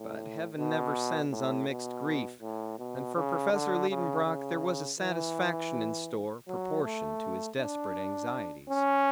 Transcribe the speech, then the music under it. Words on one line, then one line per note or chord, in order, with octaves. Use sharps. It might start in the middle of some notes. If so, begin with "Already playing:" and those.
But Heaven never sends unmixed grief, and for Professor Liedenbrock there was a satisfaction in store proportioned to his desperate anxieties.
Already playing: A2
B2
A2
B2
A2
B2
C#3
D3
C#3
C#3
E3
F#3
A3
D4
C#4